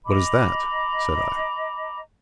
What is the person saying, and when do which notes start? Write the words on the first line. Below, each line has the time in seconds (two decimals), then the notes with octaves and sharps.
'What is that?' said I.
0.05 D#5 A#5 B5 D6